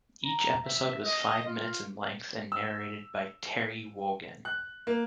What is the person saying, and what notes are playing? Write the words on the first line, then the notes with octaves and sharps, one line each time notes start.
Each episode was five minutes in length and narrated by Terry Wogan.
A#5
E5
D#5
F4
E6
F#6
A#3